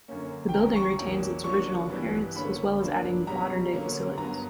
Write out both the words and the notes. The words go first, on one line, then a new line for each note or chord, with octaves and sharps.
The building retains its original appearance as well as adding modern-day facilities.
F#2 D3 A#3 C#4
G5
E2 C#3 G3 C#4 A#5
C#6
E2 B2 F#3 A#3 D4
C#3 F#3 A#3 D4 C#6
G2 E3 G3 B3 D4
D3 A#3 C#4 B5
G2 F#3 A#3 D4
B2 G3 C#4 A#5
D3 F#3 A#3 C#4
G2 F#3 B3 A#5